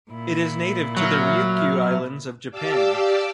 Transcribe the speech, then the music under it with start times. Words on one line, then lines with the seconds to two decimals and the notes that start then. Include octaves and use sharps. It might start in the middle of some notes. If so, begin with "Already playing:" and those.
It is native to the Ryukyu Islands of Japan.
0.10 A#2 E4
0.97 F#3 E5 F6
2.51 G4 D5 F5 A5 D6 E6